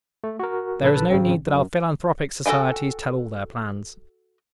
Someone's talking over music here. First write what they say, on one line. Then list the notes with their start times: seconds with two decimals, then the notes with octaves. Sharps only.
There is no need that our philanthropic societies tell all their plans.
0.24 A3
0.39 F#4 A#4
0.83 A#1 A4 B4 A5
1.10 G#1 C#3 C4
1.47 F#2
2.46 F#4 A4 F5 G5 G#5